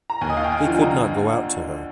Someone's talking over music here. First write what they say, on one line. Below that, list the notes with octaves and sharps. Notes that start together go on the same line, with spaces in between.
He could not go out to her.
A#5
D#2 G#5
D#5
F5
G5
G#5
D3 F3
A#5